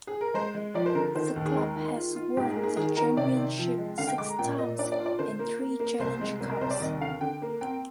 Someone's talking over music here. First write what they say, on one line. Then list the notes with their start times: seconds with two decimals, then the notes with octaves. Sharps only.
The club has won the Championship six times and three Challenge Cups.
0.07 G#4
0.21 A#4
0.34 G#3 C5
0.54 G#3
0.74 F3 D5
0.86 C5
0.95 D3 A#4
1.15 D#3 C5
1.36 D#2
1.45 G#4
1.55 G#3 A#4
1.76 D#3
1.96 F4
2.16 F4
2.37 G#2 G4
2.49 G#4
2.56 A#3
2.63 G#4
2.76 D#3 G#4
2.96 D#3 A#4
3.17 C3 D5
3.37 C4
3.58 F3
3.78 G#3
3.98 D3 F5
4.08 G5
4.18 G#3 D6
4.29 A#5
4.39 A#2 G5
4.58 A#2 D#5
4.78 D4 D5
4.92 D5
5.00 F4
5.06 D5
5.19 D3 C5
5.39 A#3
5.59 A#3
5.80 A#3
5.99 C2 C5
6.21 G#3
6.40 C2
6.51 A#4
6.61 C2 C5
6.71 D5
6.80 D#2 D#5
7.01 D3 F5
7.21 D3 G5
7.42 A#3
7.61 C4 G5